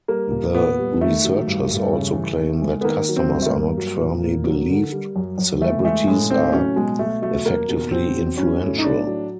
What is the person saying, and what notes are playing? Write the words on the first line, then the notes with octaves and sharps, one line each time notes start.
The researchers also claim that customers are not firmly believed celebrities are effectively influential.
G3 A#3
A#2
A#2 B3
G3
D#3 A3
F#3
G2
G2
C#3
E3
E2
G#3
B3
D#3 A#3
F#3
C4
G2
A3
A#3
G2
F#3
A#2
A#2
F#3
D3
G3
F#2
F#2
E3 A3
G#3 A3
A2 G#3
A2 C4
F#3 C#4
B2 G#3
B2 A3
F#3 A3
F#3 A#3
B2
B2 C4
F#3
F#3 C#4
A2
D#4
A2 D4
F#3